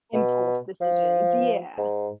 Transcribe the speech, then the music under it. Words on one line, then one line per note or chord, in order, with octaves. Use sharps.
impulse decisions, yeah.
B2
F3
G#2